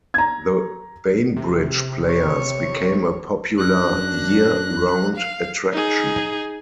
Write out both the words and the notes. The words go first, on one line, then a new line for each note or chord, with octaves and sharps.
The Bainbridge Players became a popular year-round attraction.
A#5 G#6
C3
C#5
F#2 D4 F#6 A#6
F5
D#4 G#4